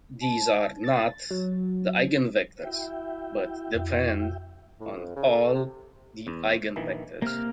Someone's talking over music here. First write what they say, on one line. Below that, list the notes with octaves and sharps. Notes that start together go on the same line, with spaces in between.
These are "not" the eigenvectors, but "depend" on "all" the eigenvectors.
A5
A6
F#3
E4 F#4 E5 G5
F2
A2
F2
C#3
A4
C3
E2
A#1 D#3 E3
C3 A#3 F6